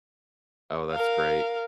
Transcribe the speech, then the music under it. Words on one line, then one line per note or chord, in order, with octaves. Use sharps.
Oh, that's great.
A#4 F5